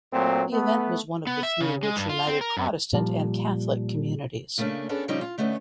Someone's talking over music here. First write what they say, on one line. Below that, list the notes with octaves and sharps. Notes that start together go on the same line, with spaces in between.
The event was one of the few which united Protestant and Catholic communities.
A#2 F#3 A3 C4
A3 B3
B3
E5
C#3
G#3
G2
F4
C4
A#4
F#2
A#2 F3 G3
C#3 A3 A#3 C#4 D4
B3 C#4 D4 G#4 A4
C#3 F3 G3 C4 C#4 D#4
F4
D3 A3 B3 C#4 D#4